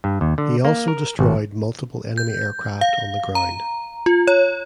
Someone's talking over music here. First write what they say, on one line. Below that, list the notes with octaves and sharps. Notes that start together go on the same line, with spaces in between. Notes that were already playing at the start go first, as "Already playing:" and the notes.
He also destroyed multiple enemy aircraft on the ground.
G2
D#2
D3
A#3
A#4
G#1
G6
F5
A#5
F4
C#5